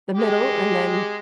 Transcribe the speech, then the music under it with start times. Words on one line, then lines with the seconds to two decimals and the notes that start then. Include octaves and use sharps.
the middle and then
0.15 G#3 G4